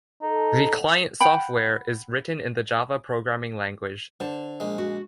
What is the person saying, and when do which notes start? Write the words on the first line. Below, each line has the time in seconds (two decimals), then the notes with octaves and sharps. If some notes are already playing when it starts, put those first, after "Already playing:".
The client-software is written in the Java programming language.
0.22 D#4 A4
1.21 F#5 G5 B5
4.20 D3 C5 A5
4.60 A#1 G#3
4.78 F#4